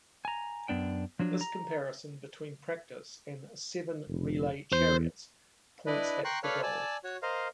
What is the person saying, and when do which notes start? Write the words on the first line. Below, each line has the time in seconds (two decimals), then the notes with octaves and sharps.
This comparison between practice and "seven relay chariots" points at the goal.
0.25 G#5 A#5
0.68 F#2 B3 D4 G5
1.19 F3 F#3 D4
1.41 A#5
4.07 F1
4.73 E2 C5
5.86 D4 E4 B4 D5 D#5
6.25 G5 A#5 C6 C#6 F#6
6.43 A4 B4 C#5 D5 F5 F6
6.63 D5 G#5 A5 E6
7.04 F#4 C#5
7.23 A#4 C5 D#5 F5